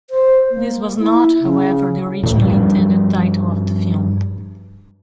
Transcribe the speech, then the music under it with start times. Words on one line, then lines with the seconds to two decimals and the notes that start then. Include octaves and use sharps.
This was not, however, the originally intended title of the film.
0.10 C5
0.51 A#3
1.00 E4
1.41 C#3
2.23 D2 A2
2.41 G2 F3 G3